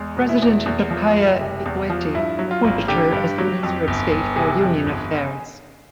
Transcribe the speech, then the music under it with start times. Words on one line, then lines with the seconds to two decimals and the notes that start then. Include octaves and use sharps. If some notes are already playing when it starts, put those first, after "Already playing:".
President Jakaya Kikwete appointed her as the Minister of State for Union Affairs.
Already playing: E2 G#3
0.16 B2
0.29 E4
0.42 E2
0.66 E2
0.91 F3
1.16 F#1
1.41 C3
1.66 E2
1.90 F3
2.15 G2 E4
2.39 F#3
2.51 F4
2.64 G#1
2.88 D3 G4
3.13 G2
3.38 F#3
3.63 F2
3.88 G1
4.12 G1
4.36 C3 G#4
4.61 F2
4.86 G1